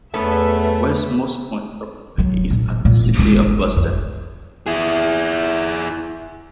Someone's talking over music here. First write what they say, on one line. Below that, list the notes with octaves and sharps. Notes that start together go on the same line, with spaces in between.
The westmost point of the bay is at the city of Boston.
E2 A3 B3 C#4 A4 B4 E5
F#3
A#2
A#2
G1 G#3
F2
E4 G#4